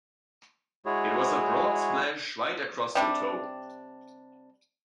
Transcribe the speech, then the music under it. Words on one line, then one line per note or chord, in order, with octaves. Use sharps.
It was a broad splash right across the toe.
G#3 E4 F#4 G#4 C#5
C3 G3 D4